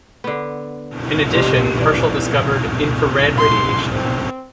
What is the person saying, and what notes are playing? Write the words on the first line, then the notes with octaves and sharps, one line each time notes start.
In addition, Herschel discovered infrared radiation.
D3 B3
C3 G3 G#3
E3 D4
C6
C4